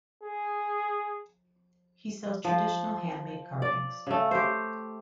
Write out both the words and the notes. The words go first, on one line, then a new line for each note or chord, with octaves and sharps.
He sells traditional handmade carvings.
G#4
F3
D5
C#3 A3
G4 C5